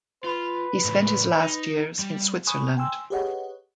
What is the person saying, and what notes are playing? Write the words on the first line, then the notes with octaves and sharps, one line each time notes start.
He spent his last years in Switzerland.
F4 B4
A2 C#3
D#4
G3
G#5 B5 C#6 D#6 F#6
G5 G#5 C6 E6
G4 G#4 B4 C#5 D#5 F#5